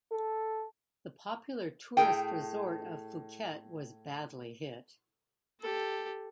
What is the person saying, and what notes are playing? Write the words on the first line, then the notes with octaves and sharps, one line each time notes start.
The popular tourist resort of Phuket was badly hit.
A4
A2 G#4 G5
G4 A4